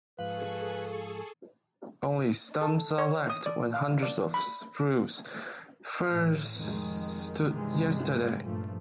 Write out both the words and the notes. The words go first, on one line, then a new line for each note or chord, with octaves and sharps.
Only stumps are left where hundreds of spruce firs stood yesterday.
G#2 F3 G#4 A4 B4 F5 C#6
A4
C#5
D#6
D5
F5
D5
B5
A2
F1 D#3 G#3
G2 C3 D#3 E3 G3 G#3
G2 A#2 F3 A3